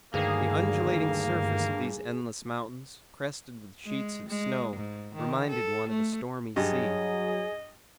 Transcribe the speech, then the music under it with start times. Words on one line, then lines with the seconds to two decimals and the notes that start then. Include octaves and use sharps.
The undulating surface of these endless mountains, crested with sheets of snow, reminded one of a stormy sea.
0.14 D2 G2 D#3 A#3 G#4
3.86 G#3
4.29 G#3
4.76 G#2
5.15 D#3
5.49 A4
5.89 A3
6.56 G2 F#3 G#4 D#5